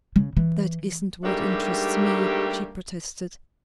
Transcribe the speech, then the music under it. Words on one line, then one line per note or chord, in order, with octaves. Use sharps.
"That isn't what interests me," she protested.
C#3
E3
G#2 G3 A3 A#3 D4 G4